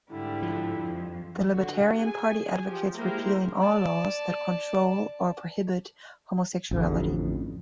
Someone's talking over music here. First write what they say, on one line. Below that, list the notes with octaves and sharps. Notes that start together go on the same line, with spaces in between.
The Libertarian Party advocates repealing all laws that control or prohibit homosexuality.
G#2 D3 G3 E4
F3
F2
D3 F#4
G#4 G#5
F3 G4
G#3 A#3 E4 G4 A#4 C5
D5 A5
A1 F2 D3